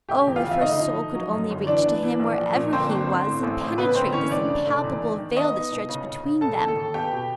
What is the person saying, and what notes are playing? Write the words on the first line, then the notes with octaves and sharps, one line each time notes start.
Oh, if her soul could only reach to him, wherever he was, and penetrate this impalpable veil that stretched between them!
F1 G4 G5
E2
F4 F5
C#3
E5
D2 D#4 D#5
F3
F3
F#3
F#2
G1
E3 D4 D5
B3
E3
A#1
F3
A#2
G1 C4 C5
G1
G1
A2
A1
A1
C#3 B3 B4
G1 C4 C5
E3 C#4 C#5
F1 D4 D5
C#3
F1
E2
D#3
D#3
B3 D#4 D#5
B3
C2
C#3
C#3
C#3
E1 A4 A5
D#3
A4 A5
D#2
B3 G4 G5
B2